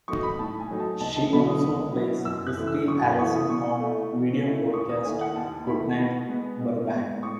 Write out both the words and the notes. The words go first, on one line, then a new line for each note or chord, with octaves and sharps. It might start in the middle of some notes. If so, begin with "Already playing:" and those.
She also plays Christy Allison on the video podcast Goodnight Burbank.
F#3 A3 D#4 C#6
B5
A2 A5
G#5
F#3 A3 D#4
A5
C#2 A5
A5
B2 F#3 B3 E4 B5
D#6
C#2
B2 F#3 B3 E4
F#2 E6
F#6
E3 A3 E4
E6
F#2 C#6
B5
E3 A3 E4 C#6
D#6
B2 C#6
A3 E4
B2
A3 E4
D#2 C#6
D#6
D#3 A3 E4 G#5
F#5
D#2 A5
D#3 A3 E4 B5
B2
G#3 B3
B2
G#3 B3
A2 C#6